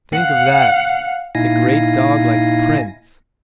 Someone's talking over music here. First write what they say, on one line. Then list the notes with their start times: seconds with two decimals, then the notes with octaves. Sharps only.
"Think of that--a great dog like Prince!"
0.13 F5 F#5
1.35 A#2 D#4 E4 F5 G#5 A#6